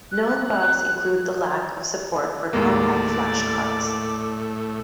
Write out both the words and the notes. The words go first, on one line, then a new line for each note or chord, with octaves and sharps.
Known bugs include the lack of support for CompactFlash cards.
F#6
D#2 A2 G#3 A#3 D5